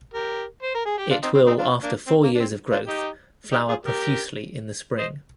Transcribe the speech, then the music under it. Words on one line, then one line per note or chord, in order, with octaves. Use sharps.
It will after four years of growth flower profusely in the spring.
G4 A#4
C5
A#4
G#4
G4
D4 F4
C4 D#4
C4
C4 D#4
D4 F4
A#3 D4
C4
A#3
D4
C4
D4 F4
D#4 G4
D#4 G4
F4 G#4
G4 A#4
C5 D#5